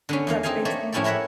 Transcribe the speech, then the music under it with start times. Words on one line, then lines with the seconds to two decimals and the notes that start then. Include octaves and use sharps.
that plays him?
0.09 D3 B3 C#4
0.27 E2 A#3 F5
0.43 C4 D#4 G#4 F5 G#5
0.65 A3 A#3 C#5 D5
0.92 A2 F3 C#4 E4 G4 D5
1.04 E4 A#4 C#5 E5 F#5